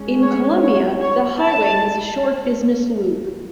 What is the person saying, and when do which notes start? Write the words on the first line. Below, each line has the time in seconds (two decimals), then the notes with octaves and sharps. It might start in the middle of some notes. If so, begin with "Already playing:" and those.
In Columbia, the highway has a short business loop.
Already playing: G#3 C#4
0.22 C#5
0.61 C#5
1.00 C#5
1.40 A5